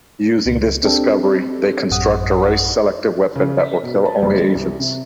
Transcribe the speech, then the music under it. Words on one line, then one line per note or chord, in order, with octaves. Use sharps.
Using this discovery, they construct a race-selective weapon that will kill only Asians.
C#2
C4 D4 G4 A4
A1 F#2 F#5 D#6
C#3
B6
B2
A5
F#1
G1
C2
C3